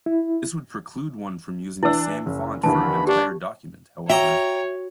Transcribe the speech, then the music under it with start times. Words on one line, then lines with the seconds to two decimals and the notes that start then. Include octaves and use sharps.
This would preclude one from using the same font for an entire document, however.
0.06 E4
1.83 E3 D4 E4 E6
2.26 F#1
2.63 D#2 D3 E3 A5 B5
3.07 D4 G4
4.10 F#4 C#5 E5 G5 A#5